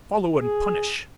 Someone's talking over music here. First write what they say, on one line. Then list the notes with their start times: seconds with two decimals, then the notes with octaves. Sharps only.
"Follow and punish."
0.36 G#4